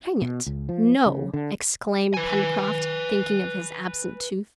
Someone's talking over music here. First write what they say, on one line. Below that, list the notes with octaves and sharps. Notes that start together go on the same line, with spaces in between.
"Hang it, no!" exclaimed Pencroft, thinking of his absent tooth.
B2
C#2
F3
C#3
D3
B4 G#5